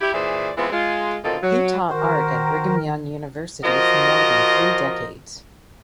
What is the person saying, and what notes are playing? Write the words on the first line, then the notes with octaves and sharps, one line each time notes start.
He taught art at Brigham Young University for more than three decades.
E4 G4
A#2 E3 G#4 C5 D5 E5
E3 G#3 B3 C4 E4 F4
G#3 F4
B2 D3 D#3 C4 F4 A4
F#3
D#3 F#4 A#4 C5
F3 F#4 A#4 C5 D#5